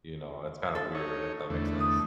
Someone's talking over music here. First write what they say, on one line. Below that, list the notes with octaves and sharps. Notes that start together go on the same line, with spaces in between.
you know, it's kinda weird, if that makes sense.
A4
D#4 C#5
E2 D3 A3
D#6